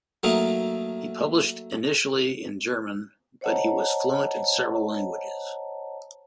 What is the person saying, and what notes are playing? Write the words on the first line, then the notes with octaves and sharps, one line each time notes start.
He published initially in German but he was fluent in several languages.
F#3 A3 A#3 D#4
C5 C#5 D#5 F#5 A5 A#5